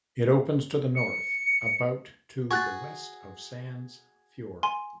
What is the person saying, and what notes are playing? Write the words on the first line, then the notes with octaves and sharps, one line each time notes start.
It opens to the north about to the west of Sands Fjord.
C#7
F#4 G#4 C#6 F#6 A6
G#5 C6